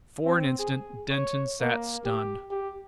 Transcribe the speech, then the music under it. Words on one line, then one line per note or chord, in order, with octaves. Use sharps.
For an instant Denton sat stunned.
C4
G#4
C#5
A#3
G4
G4